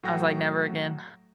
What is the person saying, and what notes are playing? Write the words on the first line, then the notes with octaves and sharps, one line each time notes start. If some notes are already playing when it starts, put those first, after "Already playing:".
I was like, "Never again."
A2 F#3 A3 F#5 G5 A#6